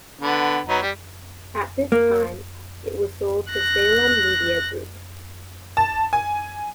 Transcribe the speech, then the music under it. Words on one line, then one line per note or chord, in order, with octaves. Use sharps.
At this time, it was sold to Salem Media Group.
D3 B3
F#3 B3 D#4
G3
A#3
F#6 A#6
A5
G#5